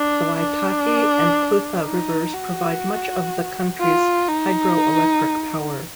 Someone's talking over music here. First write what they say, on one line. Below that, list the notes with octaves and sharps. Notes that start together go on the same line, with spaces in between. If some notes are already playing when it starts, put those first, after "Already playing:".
The Waitaki and Clutha rivers provide much of the country's hydroelectric power.
Already playing: D4
D4
D#4
F#4
F4
D#4